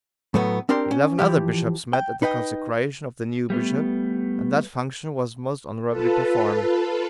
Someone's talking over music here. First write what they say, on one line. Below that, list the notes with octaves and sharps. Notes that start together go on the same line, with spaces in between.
Eleven other bishops met at the consecration of the new bishop, and that function was most honourably performed.
A2 F#3 A3 B3
C4 D4 G4 A#4 C6
C#4
E3 F3 G4
G5
D#4 B4 D#5 G5
G3 A3 B3
F4 A4 B4 A5